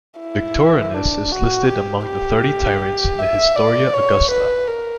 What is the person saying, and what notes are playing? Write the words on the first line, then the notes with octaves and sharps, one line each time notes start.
Victorinus is listed among the Thirty Tyrants in the "Historia Augusta".
E4
D4
F#4
G4
G4
E5
D5
C#5
B4
A#4